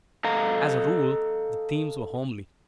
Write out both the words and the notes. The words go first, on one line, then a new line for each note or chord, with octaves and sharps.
As a rule the themes were homely.
A4 D#5 F5 A#5